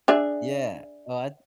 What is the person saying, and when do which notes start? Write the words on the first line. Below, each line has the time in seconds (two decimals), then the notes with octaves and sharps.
Yeah. Oh, I
0.08 D4 G#4 E5